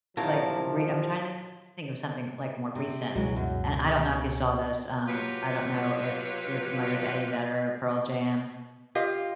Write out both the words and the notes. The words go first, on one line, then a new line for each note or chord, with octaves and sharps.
like, re I'm trying to think of something, like, more recent, and I don't know if you saw this. Um, I don't know if you're familiar with Eddie Vedder, Pearl Jam.
A#2 F3 F#3 E4 F4 G4 A#4 A5
C3
C#2 B2 E3 F#3 G#3
F#2
C3
F#3 F4 G4 B4
F4 G4 D#5 F5